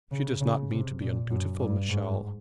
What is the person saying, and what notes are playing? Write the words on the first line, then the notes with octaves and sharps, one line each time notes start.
'She does not mean to be undutiful, Michel.'
C#3
C#3
C3
A#2
F#2
G2
G#2